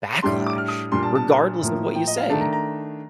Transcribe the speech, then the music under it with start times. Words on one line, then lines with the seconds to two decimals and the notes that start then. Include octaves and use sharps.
backlash regardless of what you say.
0.22 A2 G3 D4 C6
0.46 D6
0.58 F6
0.68 D#6
0.92 A#2 G3 D4 C6
1.03 A5
1.15 A5
1.61 A2 F3 A#3
1.95 G5
2.07 D#5
2.18 F5
2.30 D#3 A3 D4 A5
2.41 A#5
2.53 A#5